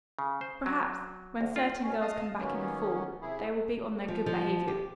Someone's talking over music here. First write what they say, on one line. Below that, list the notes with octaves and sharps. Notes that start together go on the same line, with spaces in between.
"Perhaps, when certain girls come back in the fall they will be on their good behavior."
C#3
C5
F#3
D2
F4
B2 C#4
D#5 F5 A5 D#6
D#3 F#3 A#3 B3 C#4
C3 E4 G#4
F3
F3
G4